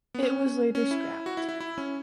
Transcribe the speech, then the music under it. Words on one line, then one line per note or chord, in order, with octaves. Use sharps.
It was later scrapped.
B3
C#4
C#4
E4
F#4
E4
E4
E4
C#4